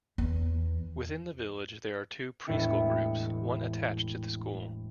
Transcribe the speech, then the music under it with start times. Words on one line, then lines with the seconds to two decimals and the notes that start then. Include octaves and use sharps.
Within the village there are two pre-school groups, one attached to the school.
0.18 E2
2.46 E1 A2 B3 E4 G4 C#7